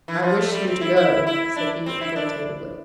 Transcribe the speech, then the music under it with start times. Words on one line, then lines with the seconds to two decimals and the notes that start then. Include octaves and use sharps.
I wish you to go,' said he, authoritatively.
0.08 E3
0.22 F3
0.38 A3
0.52 G3
0.67 C4
0.81 E4
0.96 E4
1.27 E4
1.56 D4
1.86 C4
2.01 E4
2.16 D4